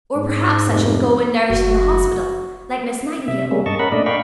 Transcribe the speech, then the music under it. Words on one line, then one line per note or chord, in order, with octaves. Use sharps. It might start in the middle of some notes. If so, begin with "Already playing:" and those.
Or perhaps I shall go and nurse in the hospital, like Miss Nightingale.
G#2
F1
F#1 F#4
C3 E5
G3 G#3 A#3 C#4
G2 D#5 A5 C#6
C#4 A#4 F#5 B5
A#2 A3 D4 D5 D#5
D5 F5 G5 B5 C#6